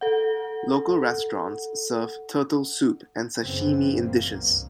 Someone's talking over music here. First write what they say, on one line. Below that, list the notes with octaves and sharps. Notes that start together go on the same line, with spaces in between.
Local restaurants serve turtle soup and sashimi in dishes.
A4 F#5
F#1 F#2 C#3 E3 B3 C4
A#2 A#3
C2 G2